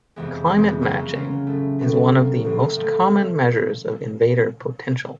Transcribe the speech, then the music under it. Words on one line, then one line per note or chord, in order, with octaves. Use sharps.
Climate matching is one of the most common measures of invader potential.
F2 C3 E3 G#3 B3
F2 C3 E3 G#3 B3
C#3 F#3 A#3 C#4 F4
C#3 F#3 A#3 C#4 F4
A2 F#3 A3
A2 F#3 A3
A2 F#3 A#3
A2 F#3 A#3
A2 F3 A3